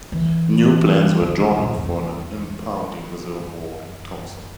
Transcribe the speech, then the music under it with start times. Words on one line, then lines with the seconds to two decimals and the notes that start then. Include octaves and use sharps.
New plans were drawn up for an impounding reservoir in Thomson.
0.12 E3
1.21 D#3
1.40 D3
1.58 A#2
1.76 F2
2.03 E2
3.40 F#2